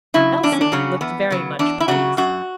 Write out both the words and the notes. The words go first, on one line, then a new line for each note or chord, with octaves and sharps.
Elsie looked very much pleased.
C#3 F#3 E4
E2 D4
C#4
D4
C#3 F#3 C#4
E2 B3
C#3 F#3
E2 D4
E4
C#3 F#3 F#4
F#2 F#4